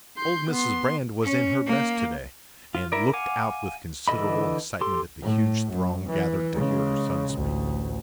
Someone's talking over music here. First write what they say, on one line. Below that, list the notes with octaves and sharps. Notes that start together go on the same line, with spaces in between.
Old Mrs. Brand was in her best to-day, and looked out with considerable excitement at the huge throng gathered to hear her son speak.
C6 G6
B3 C6
C#4
A#3
F4
E4 A#4 D5
F5 F#5 G#5 D6
D3 E3 A4 D#5 B5
G4 A4 C6
A2
F#2
E3
C#3 G#3
A1 D2